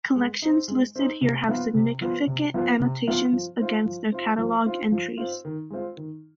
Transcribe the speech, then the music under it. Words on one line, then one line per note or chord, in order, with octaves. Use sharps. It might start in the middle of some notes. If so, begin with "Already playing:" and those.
Collections listed here have significant annotations against their catalogue entries.
G#3
C4 D#4
G#3
C4 D#4
C3
F3 B3 F4 B4
C3
F3 B3 F4 B4
C3
F3 B3 F4 B4
C3
F3 B3 F4 B4
F3
C4 F4
F3
C4 F4
F3
C4 F4
F3
C4 F4
D#3
G#3 C4 F4
D#3